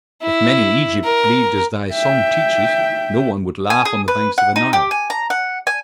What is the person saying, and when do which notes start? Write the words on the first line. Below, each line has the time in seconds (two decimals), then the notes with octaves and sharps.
If men in Egypt believed as thy song teaches, no one would laugh on the banks of the Nile.
0.22 E4
1.04 A#4
1.93 E5 G5
3.70 G#5
3.85 G#4
4.08 B4
4.38 F#5
4.56 D#4
4.73 G4
4.91 G#5
5.10 A#5
5.30 F#5
5.67 G#5